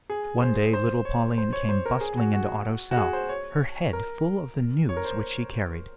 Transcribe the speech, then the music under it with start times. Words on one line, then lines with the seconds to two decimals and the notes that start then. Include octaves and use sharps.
One day little Pauline came bustling into Otto's cell, her head full of the news which she carried.
0.10 G#4
0.41 C5
0.73 C5
1.05 C#5
1.38 C5
1.53 C#5
1.69 C5
1.86 A#4
2.01 G#4
2.17 F#4
2.33 F#4
2.91 F#4
2.97 G#4
3.13 C5
3.29 C#5
3.93 A#4
4.89 C#5
4.97 A#4
5.05 C5